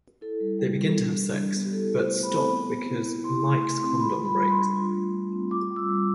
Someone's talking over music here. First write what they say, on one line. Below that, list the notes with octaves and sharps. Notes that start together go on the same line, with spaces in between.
They begin to have sex, but stop because Mike's condom breaks.
E4 A4
G3
G3
B3
D4
G3
G3
B3
G4
E4 A4
A3
C5
A3
B5
C4
B3
B3
E4
E4
E4 C6
A3
A3 C6
C4
F4 B5
G3
B5
G3
C6
D4
F4
A3
A3
C4
F4 D6
G3
E6
G3